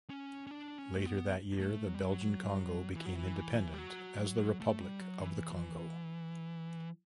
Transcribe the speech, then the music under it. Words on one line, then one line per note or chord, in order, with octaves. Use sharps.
Later that year the Belgian Congo became independent as the Republic of the Congo.
C#4
C#4
D4
C#4
A3
B3
A3
F#3
G3
F#3
E3
F#3
E3
G3
F#3
F#3
A3
G3
F#3
E3